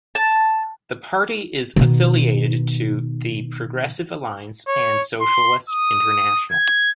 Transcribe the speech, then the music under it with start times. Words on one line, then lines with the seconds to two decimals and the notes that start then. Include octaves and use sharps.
The party is affiliated to the Progressive Alliance and Socialist International.
0.15 A5
1.76 B2 D#3
4.68 C#5
5.21 C6
5.70 D#6
6.51 G#6